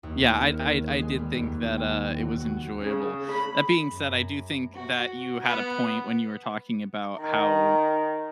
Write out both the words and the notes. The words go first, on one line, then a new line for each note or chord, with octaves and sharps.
yeah, I I I did think that, uh, it was enjoyable. That being said, I do think that you had a point when you were talking about how d
D#2
C#5
A#4
G#4
G#3
G3
D#2
G5
F#3
F#4
C#3
B5
F#2
F#4
B3
D#3 A#5